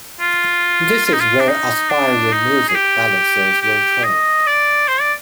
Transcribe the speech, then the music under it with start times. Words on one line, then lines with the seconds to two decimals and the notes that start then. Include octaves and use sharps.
This is where aspiring music balancers were trained.
0.20 F4
1.06 F4
1.13 D#4
1.20 F4
1.40 D4
1.48 D#4
1.90 D4
2.32 D#4
2.68 G#4
2.75 G4
3.62 G4
4.04 D#5
4.47 D5
4.88 C5
5.01 D5